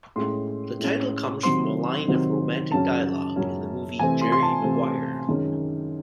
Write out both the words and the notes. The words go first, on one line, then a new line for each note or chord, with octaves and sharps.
The title comes from a line of romantic dialogue in the movie "Jerry Maguire".
A2 G#3 C#4 C6
A2 G#3 C#4
C3 D#3 F#3 C4 C6
C3 D#3 F#3 C4
F#2 C#3 F#3 C#4 A5
F#2 C#3 F#3 C#4
C3 E3 A3 C4 G#5
C6
C6
A5
C3 E3 A3 C4
F#2 D#3 G#3 C#4